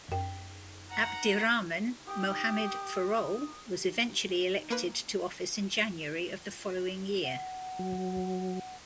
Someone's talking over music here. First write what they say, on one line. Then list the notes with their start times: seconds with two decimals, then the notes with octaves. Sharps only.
Abdirahman Mohamud Farole was eventually elected to office in January of the following year.
0.12 F#2 G5
0.90 F#5 A#5
2.07 G4 D#6
4.70 A#3 B4
7.24 F#5
7.79 F#3